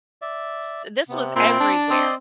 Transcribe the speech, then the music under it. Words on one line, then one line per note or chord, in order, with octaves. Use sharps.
so this was everywhere.
D5 E5
C3 B3
A#2 C4 E5 A#5 B5
D4 A5
C4 D5 D#5 C6